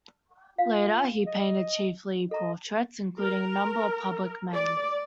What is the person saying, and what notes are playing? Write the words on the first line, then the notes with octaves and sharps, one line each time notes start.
Later he painted chiefly portraits, including a number of public men.
F4 F5
D#5
A4 D#5 A#5
A#4
D5